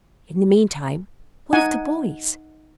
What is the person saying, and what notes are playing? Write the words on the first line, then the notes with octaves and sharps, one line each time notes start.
In the meantime, what of the boys?
D#4 F#5 G#5